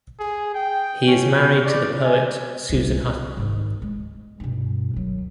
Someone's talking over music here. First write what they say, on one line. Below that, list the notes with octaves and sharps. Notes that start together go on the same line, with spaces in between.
He is married to the poet Susan Hutton.
G#4
G5
C#4
D5
G#5
C2 G3
G#2 D#3
G#3
G2 B2
D#3 F#3